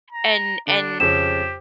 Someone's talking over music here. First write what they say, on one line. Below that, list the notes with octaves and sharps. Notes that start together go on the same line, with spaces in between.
And and,
A#5
D3 D4
F2 C#3 G4 E7